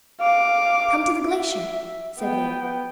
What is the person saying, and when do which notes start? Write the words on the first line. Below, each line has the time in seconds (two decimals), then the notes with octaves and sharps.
"Come to the glacier," said Leo.
0.21 F5 D6
1.28 E5
2.19 B3 G5